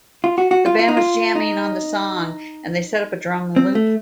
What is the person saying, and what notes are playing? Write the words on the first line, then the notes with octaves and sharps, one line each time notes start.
The band was jamming on the song, and they set up a drum loop.
F4
F#4
F#4
F4
F4
D#4
F4
D#4
C4
A3